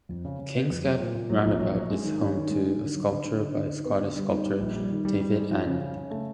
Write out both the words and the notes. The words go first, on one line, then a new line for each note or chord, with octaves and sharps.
Kings Gap roundabout is home to a sculpture by Scottish sculptor David Annand.
F2
C#3
C#3
B3
F2
F#3
A#2
A#2
F#3
A#1
F#3
F#3
G#3
D#3
C#4
D#3
G#3
D#3
D3
F#3
D3
D3
D3
D3
D#4
B3
D3
G3
D#4
G3
A#1
G3
D#3
G3
G3
G#2
F3
C#3
C#3
C#3
A3